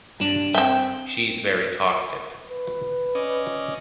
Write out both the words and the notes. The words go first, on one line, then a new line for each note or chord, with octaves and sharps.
She’s very talkative.
G2 D4
C4 E5 G5
B4
C#4 D5 D#5